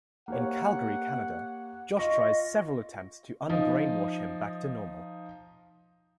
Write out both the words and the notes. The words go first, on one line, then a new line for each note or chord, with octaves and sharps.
In Calgary, Canada, Josh tries several attempts to unbrainwash him back to normal.
A#3 G4 C#5 F#5
F4 D#5 C#6
F3 D#4